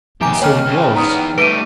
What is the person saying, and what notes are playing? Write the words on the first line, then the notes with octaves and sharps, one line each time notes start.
And so he was.
D#2 F3 G4 G#5 A#5 D6 G6
D#2 C#5 G5 F6
C#2 C#3
E2 B3 D#4 A#5 D#6
G3 A3 B4 D6 D7 D#7